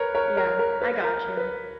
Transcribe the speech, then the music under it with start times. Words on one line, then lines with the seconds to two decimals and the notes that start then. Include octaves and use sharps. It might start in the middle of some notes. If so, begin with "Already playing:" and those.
Yeah. I got you.
Already playing: A#4 B4 C#5
0.15 A#4 C#5
0.37 A#4
0.59 A#4
0.82 B4
1.04 A#4
1.37 B4